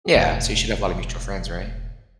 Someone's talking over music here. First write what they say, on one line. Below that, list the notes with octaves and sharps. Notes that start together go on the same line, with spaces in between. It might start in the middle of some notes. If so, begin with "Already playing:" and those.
Yeah. So you should have a lot of mutual friends, right?
E1 A2